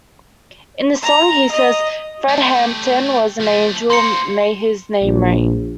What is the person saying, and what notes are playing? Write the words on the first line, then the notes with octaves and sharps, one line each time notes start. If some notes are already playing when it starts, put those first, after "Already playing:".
In the song, he says "Fred Hampton was an angel may his name ring".
A#5
D#5
A3 G4
F3 A3
A#3 C4 C6 C#7
A#1